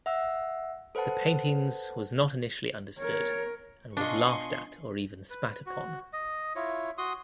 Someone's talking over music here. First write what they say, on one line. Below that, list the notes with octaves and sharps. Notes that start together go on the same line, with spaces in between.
The paintings was initially not understood and was laughed at or even spat upon.
E5 F#5 E6
A4 B4 C5 F#5 A5
A#4 C#5
B2 D4 F4 D#5 G#5 C6 C#6
B4
F#4
D#5
E4 F4 C#5
F#4 C6 D#6